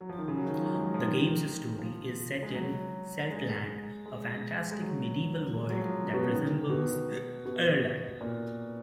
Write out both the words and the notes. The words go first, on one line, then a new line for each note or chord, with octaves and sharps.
The game's story is set in Celtland, a fantastic medieval world that resembles Ireland.
F#3
F3
D#3
C#3
F#3
D#3
F3
F#3
G#3
F#3
F3
D#3
F3
G#3
F#3
G#3
G#3
G#3
F#3
G#3
F#3
F3
B2
C#3
D#3
B2
B2
A#2